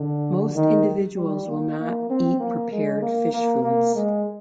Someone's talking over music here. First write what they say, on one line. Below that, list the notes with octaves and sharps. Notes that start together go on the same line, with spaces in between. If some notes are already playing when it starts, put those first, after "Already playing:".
Most individuals will not eat prepared fish foods.
Already playing: D3
D#3
G3
A#3
A#3
C4
A#3
G#3
A#3
A#3
A#3
G#3